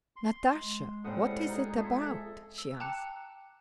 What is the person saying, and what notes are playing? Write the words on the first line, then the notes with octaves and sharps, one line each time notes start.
"Natasha, what is it about?" she asked.
C6
G#3
A2 C#3 G3 C4 F#5 D#6
D#4 G#4
F2 G#4 A4 E5
E6
G5 A5 A#5 D6 F#6 C#7